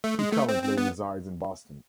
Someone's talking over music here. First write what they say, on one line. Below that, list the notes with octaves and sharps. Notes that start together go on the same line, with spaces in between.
He currently resides in Boston.
A3
G#3
A3
C4
C4
B3